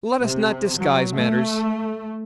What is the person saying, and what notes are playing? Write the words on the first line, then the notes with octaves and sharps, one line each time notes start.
Let us not disguise matters.
C3
F#3
A3